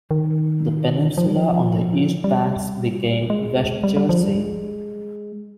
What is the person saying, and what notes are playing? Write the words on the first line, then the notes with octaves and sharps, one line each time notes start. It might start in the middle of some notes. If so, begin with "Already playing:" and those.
The peninsula on the east banks became West Jersey.
D#3
F3
G3
F3
G3
G#3
G3
G3
F3
G3
G#3